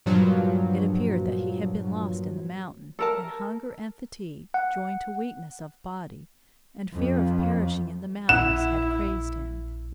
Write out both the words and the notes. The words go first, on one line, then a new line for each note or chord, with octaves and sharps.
It appeared that he had been lost in the mountain, and hunger and fatigue, joined to weakness of body, and fear of perishing in the mountains had crazed him.
G2 A#2 F3 F#3
A4 A#4 A5
F#5
F2 F3
A#1 E4 F#5 E7